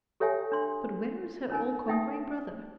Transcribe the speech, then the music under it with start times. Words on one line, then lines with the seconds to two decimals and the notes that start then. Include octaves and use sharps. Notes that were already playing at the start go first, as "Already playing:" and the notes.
But where is her all-conquering brother?
0.20 G4 A4 C#5 E5 G5 G#5
0.52 D4 C6
1.50 C#4 D#4 A#4 G#5
1.88 D#4 E5 G5 A5 D#6